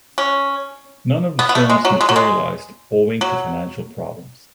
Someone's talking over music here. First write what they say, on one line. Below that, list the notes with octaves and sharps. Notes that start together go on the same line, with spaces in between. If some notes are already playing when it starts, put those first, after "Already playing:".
None of the films materialised owing to financial problems.
C#4
B3
B3
A3
G#3
F#3
G#3
F#3
G#3
F#3